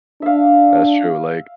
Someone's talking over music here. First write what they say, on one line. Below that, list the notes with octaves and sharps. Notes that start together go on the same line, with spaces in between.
That's true, like
D4 E5 F5